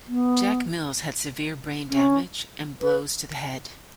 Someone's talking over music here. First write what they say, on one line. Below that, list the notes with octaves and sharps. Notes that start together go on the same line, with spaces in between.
Jack Mills had severe brain damage and blows to the head.
B3
C#4
B4